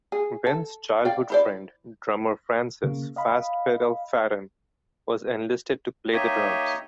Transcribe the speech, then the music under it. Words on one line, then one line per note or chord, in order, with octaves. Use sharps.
Ben's childhood friend, drummer Frances "Fast Pedal" Farran was enlisted to play the drums.
G#4
A4
D5 F5 G5
E4 C5 D5
C#3 A#3
D#5 F5 B5
A#3 D#4 G4 C#5 D#5 E5